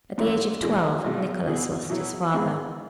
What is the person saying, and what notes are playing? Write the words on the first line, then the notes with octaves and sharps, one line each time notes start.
At the age of twelve Nickolas lost his father.
G#1 G#2 E3 C#4 E4
E2 B2 G#3
B1 B2 G#3
B2 B3 E4 G#4
B2 F#3 E4 G#4
G#1 G#2 G#3 B3 G#4